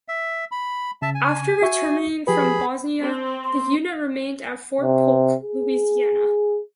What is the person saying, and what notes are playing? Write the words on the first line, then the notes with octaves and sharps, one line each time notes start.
After returning from Bosnia, the unit remained at Fort Polk, Louisiana.
E5
B5
C#3 E5 A5
G#5
F#4 E5 C#6
F3 G4 G#4 B4 B5
C4
C6
C3
G#4